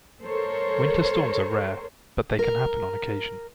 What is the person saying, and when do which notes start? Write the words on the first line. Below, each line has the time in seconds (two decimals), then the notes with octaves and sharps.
Winter storms are rare, but they can happen on occasion.
0.24 A4 A#4 C5 C#5
2.39 A#4